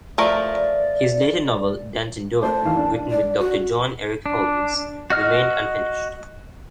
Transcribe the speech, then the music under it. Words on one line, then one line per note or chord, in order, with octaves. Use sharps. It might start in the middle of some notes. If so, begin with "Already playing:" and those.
His later novel "Danton Doring", written with Doctor John Eric Holmes, remained unfinished.
F3 A3 A#4 D5
A3 C5 A5
D#2 E3 F5
D4
D5
F#4
D4
F#4 D#5 F6